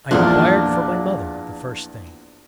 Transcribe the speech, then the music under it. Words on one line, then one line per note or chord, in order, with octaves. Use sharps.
I inquired for my mother the first thing.
E2 A#2 F3 D4 F4